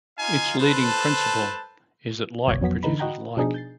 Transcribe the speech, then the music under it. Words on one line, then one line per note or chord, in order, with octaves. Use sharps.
Its leading principle is that like produces like.
D#4 F4 F5 G#5
A4 B4 C5 A5
G1 C2 B2 C#5 D5 G#6
F2 F#3 B3 B6
D3 E3 D#4 B5
F#4 D#5 F#5 G5 A#5 B5
B2 F3 D4 D#4 G#4
G6 A6 C7